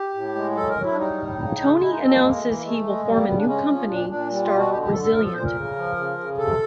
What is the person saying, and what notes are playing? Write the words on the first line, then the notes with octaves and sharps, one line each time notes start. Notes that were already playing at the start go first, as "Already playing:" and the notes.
Tony announces he will form a new company, Stark Resilient.
Already playing: G4
A2
G#3
F#3 A4
A#4
F#3
E4
D4
G3 D#4
A2
C#3
C#3
F4
G#3 E4
D#4
B2 C4
A#3
G#3 A#3
A3
E3 A#3
G#3 A3
G#3
G3 A#3
A#3
C#3 B3
D4
G#3 C#4
F3
A#2 D4
A#2 D4
G3
F4
B2
F#4
D3 G4
G4
D3 A4
A4
F3 A#4
A4
A#2 C5
A#4
C#3
F3
C#3
C#3
C3 A4